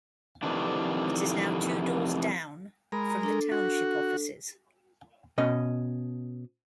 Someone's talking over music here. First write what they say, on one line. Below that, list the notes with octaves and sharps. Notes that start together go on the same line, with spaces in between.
It is now two doors down from the Township offices.
F2 C3 D#3 E3 D4
G#3 A#4 B5
A#5
D4 A4
F#4
B2 C#4 D#5